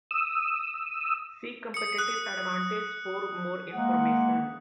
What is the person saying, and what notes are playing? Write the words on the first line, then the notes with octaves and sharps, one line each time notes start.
See competitive advantage for more information.
D#6 E6
D#6 C#7
D#6 F#6 C#7
G#3 A#3 F#5